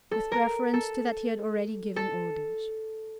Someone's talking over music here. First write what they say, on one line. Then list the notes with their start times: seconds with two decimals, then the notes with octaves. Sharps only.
With reference to that he had already given orders.
0.11 A4
0.32 A#4
0.73 A4
1.96 A4